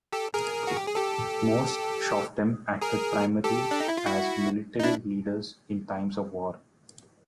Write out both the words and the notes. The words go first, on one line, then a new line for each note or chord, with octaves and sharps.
Most "shoftim" acted primarily as military leaders in times of war.
G4 A4
G#4 A#4
F#4
G4
G#4
G4 A4
G#4 A#4
G4 A4
D4
D#4
E4
F4
E4 F#4
D#4
D4 E4